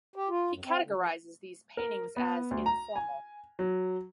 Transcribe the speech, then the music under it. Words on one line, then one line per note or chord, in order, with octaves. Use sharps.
He categorises these paintings as 'informal'.
G4
F4
F#2
C4
D3
F3
A#4
B3
D2
A#5
G#5
F#3